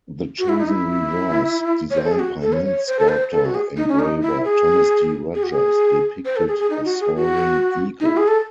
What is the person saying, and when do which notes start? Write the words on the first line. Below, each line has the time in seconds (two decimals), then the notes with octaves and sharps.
The chosen reverse, designed by Mint sculptor-engraver Thomas D. Rogers, depicted a soaring eagle.
0.39 F#4
0.49 E4
0.59 D#4
0.68 E4
1.90 C#5
1.97 C5
2.04 A4
2.12 G#4
2.19 F#4
2.42 A4
2.53 C#5
2.64 C#5
2.87 C5
2.99 A4
3.09 C5
3.32 A4
3.45 F#4
3.55 G#4
3.77 D#4
3.89 C#4
3.99 D#4
4.22 E4
4.45 G#4
5.35 G#4
5.43 F#4
5.51 G#4
6.25 C5
6.36 A4
6.48 G#4
6.59 G#4
6.70 D#4
6.85 F#4
7.01 G#4
7.16 F#4
8.00 D#4
8.06 E4
8.17 G#4
8.28 A4